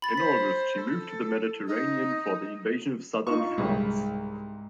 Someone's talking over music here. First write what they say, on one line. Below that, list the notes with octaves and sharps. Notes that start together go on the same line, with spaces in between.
In August, she moved to the Mediterranean for the invasion of Southern France.
B5 A6
C5 B6
A4
D#4
D#4 F4 C#6
C2 G#2